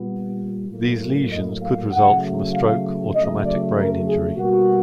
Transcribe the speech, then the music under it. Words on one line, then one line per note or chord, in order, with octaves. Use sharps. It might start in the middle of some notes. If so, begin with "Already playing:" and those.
These lesions could result from a stroke or traumatic brain injury.
Already playing: A#2 G3 B3
A2 F#3 A#3
D#5
F5
C#3 F#3 A3 F#5
F5
C#3 F#3 A3 D#5
D5
A#4
G#4
B2 G3 A#3 F#4